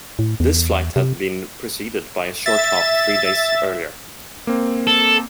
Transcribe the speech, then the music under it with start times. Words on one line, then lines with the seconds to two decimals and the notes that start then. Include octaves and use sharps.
This flight had been preceded by a short hop three days earlier.
0.19 A2
0.40 E2
0.96 C3
2.46 E5 A6
4.47 A#3 C4
4.87 A4